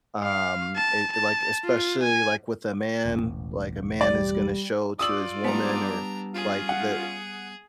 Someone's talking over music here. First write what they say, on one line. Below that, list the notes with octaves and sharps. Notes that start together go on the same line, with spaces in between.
um, it like, especially, like, with a man, like a man is gonna show to his woman or, like, the
F5
A5
A5
F4
G#5
E1 A1
G3 D5
F4 D5 D#6 E6 F#7
G3 B3 D4 A#5
C#4 F4 G#4
F#5